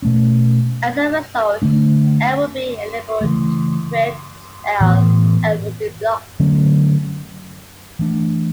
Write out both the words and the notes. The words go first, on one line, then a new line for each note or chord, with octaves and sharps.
As a result, M will be unable to preempt L and will be blocked.
B2 A3 C#4
D3 A3 D4
C#3 E3 A3
A2 E3 B3
D3 F#3 A3 C#4
E3 A3 D4